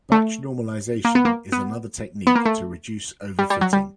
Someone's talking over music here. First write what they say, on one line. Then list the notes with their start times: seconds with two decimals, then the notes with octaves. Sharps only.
Batch normalisation is another technique to reduce overfitting.
0.12 A3
1.05 A#3
1.15 B3
1.25 A#3
1.52 B3
2.27 B3
2.35 A#3
2.46 A3
3.39 G3
3.50 G3
3.61 F#3
3.73 G3